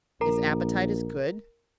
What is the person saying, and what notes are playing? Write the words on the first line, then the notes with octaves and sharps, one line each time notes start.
"His appetite is good?"
A#1 A#4 A#5